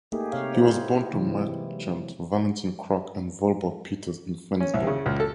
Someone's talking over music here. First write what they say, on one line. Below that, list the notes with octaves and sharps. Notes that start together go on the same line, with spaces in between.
He was born to merchant Valentin Krock and Volborg Peters in Flensborg.
A3 A#3 D#4 G4 G#4
C3 G4 C#5 F5
E4 C5 D#5
C3 E3 F#3 G#3 C4
C#4
C2
C#3
C#2
A4